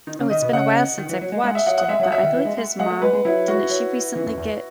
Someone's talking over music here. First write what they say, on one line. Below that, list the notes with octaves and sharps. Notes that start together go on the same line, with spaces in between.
oh, it's been a while since I've watched it, but I believe his mom didn't she recently get
D#3
C#3
D#3 D#5
B2
C#3 F#5
D#3
E3
F#3
G#3
G#3 F#5
E5
F#3 F#5
F#5
G#3 E5
F#3
F#5
F#3 E5
D#3
E3
G#3
G#3
G#3 F#5
A3
G#3 B4
G#3
F#3 E4
F#4
F#3
E3
F#2
E2